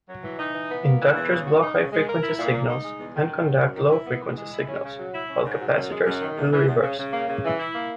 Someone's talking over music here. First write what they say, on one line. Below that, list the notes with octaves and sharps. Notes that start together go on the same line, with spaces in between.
Inductors block high-frequency signals and conduct low-frequency signals, while capacitors do the reverse.
F#3
E3
D#4
E3
B3
A#3
E3
E2
C#3
F#4
D#4
C#3
G#3
A#4
E4
A#2
A#3
D#4
G#3
E2
D#3
F#2
F#3
F#2
D#3
E4
B3
E3
G#3
E4
C#4
C#3
F#3
E4
C#4
G#2
F#3
F#2
G#3
F#2
D#3
E2
E3
E2
C#3
C#3
A#3
C#3
E3
E4
A#3